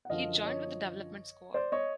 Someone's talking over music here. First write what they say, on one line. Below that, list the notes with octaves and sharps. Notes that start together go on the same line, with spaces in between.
He joined with the development squad.
F#5
F#2 D3 F3 D#5 F5
C#5 D#5
C5 D5
C#5 D#5